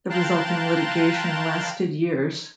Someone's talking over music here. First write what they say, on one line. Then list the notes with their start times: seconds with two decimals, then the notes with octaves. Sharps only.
The resulting litigation lasted years.
0.10 F5 G5 A5 A#5 C6 F#6